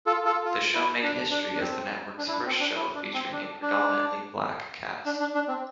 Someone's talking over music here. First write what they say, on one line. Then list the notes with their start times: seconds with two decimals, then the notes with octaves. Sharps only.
The show made history as the network's first show featuring a predominantly black cast.
0.06 F4 A4
0.25 F4 A4
0.45 F4
0.74 E4
1.03 D4
1.31 D4
1.54 D4
1.61 C4
2.18 D4
2.28 E4
2.32 D4
2.46 C4
2.60 D4
2.76 E4
2.95 D4
3.14 C4
3.32 D4
3.62 D4
5.06 D4
5.20 D4
5.35 D4
5.48 C4